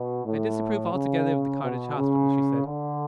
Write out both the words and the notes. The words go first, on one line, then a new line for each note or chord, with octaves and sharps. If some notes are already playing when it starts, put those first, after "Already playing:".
"I disapprove altogether of the cottage hospital," she said.
Already playing: B2
A2
C#3
B2
C#3
D3